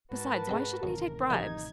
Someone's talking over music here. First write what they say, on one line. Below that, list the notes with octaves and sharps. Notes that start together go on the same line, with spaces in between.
Besides, why shouldn't he take bribes?
G#2 F#4 A#4 B4 A5
G#3 C4 B5
A1 F#2 C3 D#3 A#4
F3 D#4 G4 G#6